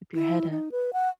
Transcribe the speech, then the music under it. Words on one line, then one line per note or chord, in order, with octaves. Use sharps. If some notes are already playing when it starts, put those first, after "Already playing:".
Keep your head up.
E4
D#4
B4
F#5